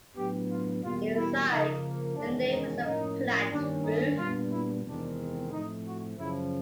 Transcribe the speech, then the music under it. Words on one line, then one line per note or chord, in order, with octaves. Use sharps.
Inside, the nave has a flat roof.
A2 F#3 B3 D4 G4
F4
E2 B2 G3 A#3 F4
E4
C#3 F3 A#3 D#4
E2 C3 D#3 G#3 C#4 D4
D#4
A2 F3 A#3 C#4 D#4
G2 D#3 G3 A#3 C#4 D4
D#4
A#2 G3 B3 D4 F4
E4
E2 C3 D#3 G#3 C4 D4
A2 F3 A3 C4 D#4
F#4
F#2 C#3 F3 E4